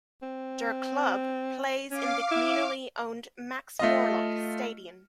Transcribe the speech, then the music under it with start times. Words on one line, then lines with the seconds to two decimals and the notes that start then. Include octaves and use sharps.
"Der Club" plays in the communally-owned Max-Morlock-Stadion.
0.23 C4
1.91 C#4 F5 D6
2.31 E4
3.79 A3 F4 D#5